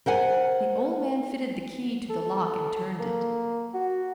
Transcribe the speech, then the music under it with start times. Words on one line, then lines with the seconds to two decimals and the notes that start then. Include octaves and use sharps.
The old man fitted the key to the lock and turned it.
0.06 A#4 C5 F#5 G#5
2.10 A4
3.00 A#3
3.74 F#4